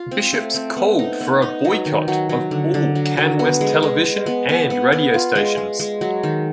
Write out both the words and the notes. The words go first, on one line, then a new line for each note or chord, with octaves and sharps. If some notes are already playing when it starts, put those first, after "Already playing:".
Bishops called for a boycott of all CanWest television and radio stations.
Already playing: F4
C4
A3
C4
B3
D#4
B3
D#4
F#3
D#3
F#3
F#3
D3
D3
F#3
F#3
B3
G#3
G#3
G#3
B3
B3
B3
B3
F4
G#3
G#3
G#3
F#3
D#3